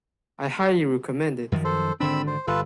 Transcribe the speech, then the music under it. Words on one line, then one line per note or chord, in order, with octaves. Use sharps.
I highly recommend it.
F#2 D#3 F3
A4 C5
G#1 D3 C4 D4 B5 E6
C5
G1 F4 A4 B4